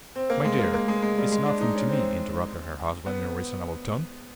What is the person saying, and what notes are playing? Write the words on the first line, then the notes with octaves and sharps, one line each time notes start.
"My dear, it's nothing to me," interrupted her husband, in a reasonable tone.
C4
A#3
G#3
A#3
A#3
G#3
G#3
G3
G#3
D4
D#4
C#4
C4
B3